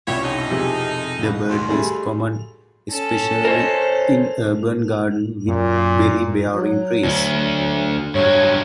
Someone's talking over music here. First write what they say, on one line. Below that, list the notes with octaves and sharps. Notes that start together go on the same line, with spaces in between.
The bird is common especially in urban gardens with berry bearing trees.
C2 B2 C#4 E4 F4 G4 C#5
F2 D#4 E4 G5 A5
C3 F3 G#4 D6 E6 B6
F#1 B4
D#2 F#4 C6
G3 A3 G#4
C#4 A4
A#4 C5 C#5
F#2 A#2
F#3
D2 D3
G2 F#3 C#5